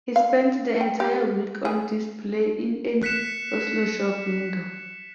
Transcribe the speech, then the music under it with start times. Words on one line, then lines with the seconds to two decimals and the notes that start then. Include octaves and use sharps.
He spent the entire week on display in an Oslo shop window.
0.16 F5
0.81 G5
1.00 G4
1.65 G#4
3.03 F#6 B6 C#7 E7